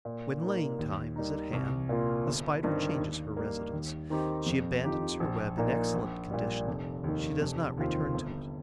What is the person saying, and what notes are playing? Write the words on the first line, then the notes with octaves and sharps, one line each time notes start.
When laying-time is at hand, the Spider changes her residence; she abandons her web in excellent condition; she does not return to it.
A#2
A#3 D#4
D#2
D#3 G3 D#4
C2
A#2 A#3 F4
G1
G2 D#3 C4
D#2
D#3 G3 A#3
D#2
D#3 C4 D#4 G4
F2
F3 D#4 G4
A#1
A#2 A#3 D#4
A#1
A#2 G3
F1
D#2 D#3
F1
D#2 D#3 C4 F4
G1